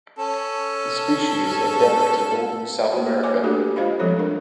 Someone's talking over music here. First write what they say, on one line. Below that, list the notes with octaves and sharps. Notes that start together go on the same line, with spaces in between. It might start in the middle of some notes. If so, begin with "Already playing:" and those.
The species is endemic to northern South America.
C#4 A4
A#3 F#4
C#5 G#5 D6
A3 D4 F#4 G4 A4
G#3 F4 C5 D#5 F5 B5
F3 G3 C4 A4 C#5
D4 A#4